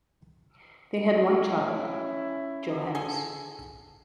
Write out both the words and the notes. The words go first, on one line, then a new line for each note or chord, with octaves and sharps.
They had one child, Johannes.
C#4 E4
G#4 A4 G#5